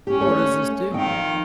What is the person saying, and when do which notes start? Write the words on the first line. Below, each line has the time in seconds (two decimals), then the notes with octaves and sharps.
What does this do?
0.07 C#4 G4
0.20 A3 C#5
0.91 D#3 C4 D#5 G5
1.06 F3